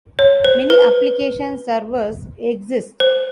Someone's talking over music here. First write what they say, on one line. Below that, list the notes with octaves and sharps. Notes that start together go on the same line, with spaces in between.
Many application servers exist.
C#5
C5
B4
C5